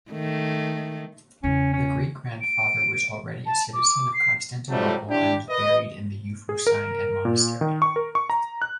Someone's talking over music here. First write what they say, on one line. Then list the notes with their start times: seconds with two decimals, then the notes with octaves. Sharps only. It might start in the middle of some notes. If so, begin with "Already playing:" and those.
The great grandfather was already a citizen of Constantinople and was buried in the Euphrosyne monastery.
0.11 D#3 A3
1.43 E2 C#3 C#4
1.73 C#4
2.41 D7
3.46 A5
3.73 D6
4.13 C7
4.69 F2 G#2 C3 F#3 G3 A3
5.09 D4 E4 G4
5.48 B4 D#5
6.49 G#4
6.67 A#4
7.25 A#2
7.61 D#3
7.82 C#6
7.96 A#4
8.15 C#6
8.30 A#5
8.62 F#6